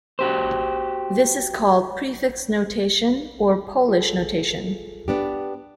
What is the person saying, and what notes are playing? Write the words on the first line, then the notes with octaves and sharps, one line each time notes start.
This is called "prefix notation" or "Polish notation".
F#4 G4 C5
F4 G#4 A4
B3 D4 G4